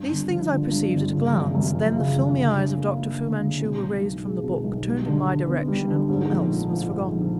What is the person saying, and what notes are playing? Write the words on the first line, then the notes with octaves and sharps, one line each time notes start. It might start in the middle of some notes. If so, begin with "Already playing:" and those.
These things I perceived at a glance: then the filmy eyes of Dr. Fu-Manchu were raised from the book, turned in my direction, and all else was forgotten.
Already playing: G2
G1
F3
D3
G2
G1
C#3
F#2
F#2
F3
C#3
F#2
D3
D2
A#3
F#3
D3
D2
B2
B1
B1
G#3
B2
B1
G3
D3
D3
B3
G3
D3
G#2
A#1
A3
F3
G#2
A#1